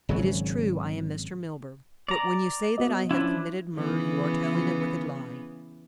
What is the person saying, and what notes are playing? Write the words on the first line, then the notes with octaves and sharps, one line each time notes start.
"It is true I am Mr. Milburgh, but when you say that I have committed murder you are telling a wicked lie."
G#1 C#3 F#3
D5 A#5
B3 F#4 D#5
F3 C#4 D4 E4
C#3 E3 B3